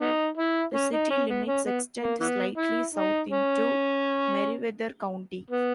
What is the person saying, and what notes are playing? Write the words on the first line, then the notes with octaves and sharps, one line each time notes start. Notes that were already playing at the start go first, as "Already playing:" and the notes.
The city limits extend slightly south into Meriwether County.
B3 D#4
E4
C#4
D#4
C#4
B3
C#4
B3
A#3
E3 B3
E4
D#4
C#4
B3